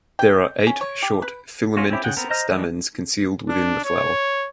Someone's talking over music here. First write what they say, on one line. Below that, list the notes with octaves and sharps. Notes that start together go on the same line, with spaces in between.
There are eight short filamentous stamens concealed within the flower.
G5
C#4
C#5
G4
B4
C#4 F4 F#4
C4 C#4 E4 G4
C#3 A3 G#4 F#5 G5
B3 C4 A#4
C5 D#5 A#5 F6
E3 G3 G#3 D4
D4
C#5